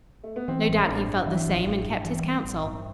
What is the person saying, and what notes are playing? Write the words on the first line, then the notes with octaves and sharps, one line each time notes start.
No doubt he felt the same and kept his counsel.
A3
B3
E3 C4
A1
A1 D4
G2
E3 E4
A1
A1
G2
E3
G3
A1
G2